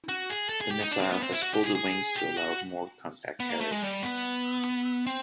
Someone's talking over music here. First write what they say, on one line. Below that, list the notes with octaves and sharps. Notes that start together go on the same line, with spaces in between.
The missile has folded wings to allow more compact carriage.
F#4
G#4
A4
G#4
G4
D#4
D4
C4
B3
C4
E4
F#4
G4
G#4
G#4
G4
F#4
B3
A#3
A3
G#3
G3
B3
C4